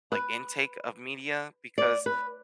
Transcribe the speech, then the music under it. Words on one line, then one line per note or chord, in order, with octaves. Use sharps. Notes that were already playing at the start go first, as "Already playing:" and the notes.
like intake of media, because
B4
D5
B4